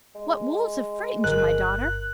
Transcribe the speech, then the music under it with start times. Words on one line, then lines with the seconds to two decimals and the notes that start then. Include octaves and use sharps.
What wolves have frightened you, my daughter?
0.15 G#3
1.24 G1 A#4 F#6